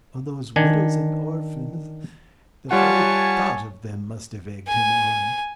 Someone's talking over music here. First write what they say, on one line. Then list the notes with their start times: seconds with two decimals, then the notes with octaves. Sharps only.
Those widows and orphans--the very thought of them must have egged him on!
0.56 D#3 D4 G#5
2.71 G3 F4 C#5 F#5 G#5 A5
4.67 G#5